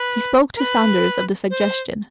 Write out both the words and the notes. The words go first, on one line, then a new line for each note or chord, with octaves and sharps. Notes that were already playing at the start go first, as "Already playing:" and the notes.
He spoke to Saunders of the suggestion.
Already playing: B4
A#4
B4
C5